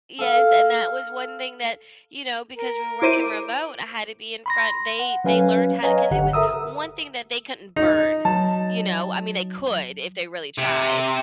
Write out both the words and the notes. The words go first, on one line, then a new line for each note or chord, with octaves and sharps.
yes and that was one thing that you know, because we're working remote, I had to be in front they they learned how to 'cause it was one thing that they couldn't burn, you know? I mean, they could if they really tried,
A4 F5
A#4
E4 C5 D6 D#7
B5 C6 A#6
F#5
F#3 C#4 B4 F5 G#5
B4 C#5 D#5 F5 G#5 A#5
G1 D3 G4 F#5
A4 A#4 E5 A#5 D#6 E6
D#4
F#3 A5
C3